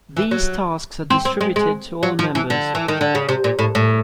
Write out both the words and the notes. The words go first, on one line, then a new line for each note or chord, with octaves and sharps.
These tasks are distributed to all members.
E3
F#3
C4
C4
G#3
G#3
F#3
F3
E3
D3
E3
D#3
D3
C#3
C3
A#2
A2
A2